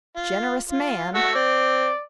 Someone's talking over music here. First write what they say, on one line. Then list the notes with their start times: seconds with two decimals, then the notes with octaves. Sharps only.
"Generous man!"
0.16 F4
0.70 F4
1.14 A3 F#4 F#5 E6
1.35 C4 D5